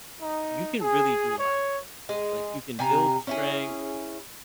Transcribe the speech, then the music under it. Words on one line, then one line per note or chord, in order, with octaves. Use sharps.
you can really do a lot with dumbbells, like, you can build strength,
D#4
G#4
C#5
G#3 G#4
C3 G#5 A#5
C#4 E4 G#4